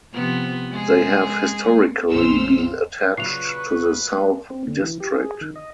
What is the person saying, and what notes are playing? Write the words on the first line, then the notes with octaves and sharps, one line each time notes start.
They have historically been attached to the South District.
C3 F3 B3
G#3 G#4
A#1 F2 C#3 C5 E6 F6
A#2 C#3 F#3 B4 C#6 C7 F7
C4
D3
E3
G4
G#4
D#3
D#5